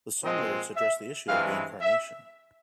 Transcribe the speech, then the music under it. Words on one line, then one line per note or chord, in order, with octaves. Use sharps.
The song lyrics address the issue of reincarnation.
A#2 F3 G#3 C4 D#5
E5
G2 E3 G#3 C4 F5
E5